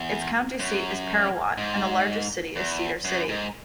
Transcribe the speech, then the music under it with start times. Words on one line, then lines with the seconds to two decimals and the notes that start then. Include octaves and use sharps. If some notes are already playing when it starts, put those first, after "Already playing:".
Its county seat is Parowan, and the largest city is Cedar City.
Already playing: E2
0.59 F#2
1.57 G#2
2.56 E2
3.05 F#2
3.29 G#2